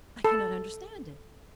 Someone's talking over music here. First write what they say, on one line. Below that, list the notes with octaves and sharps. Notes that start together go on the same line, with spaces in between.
I cannot understand it.
A4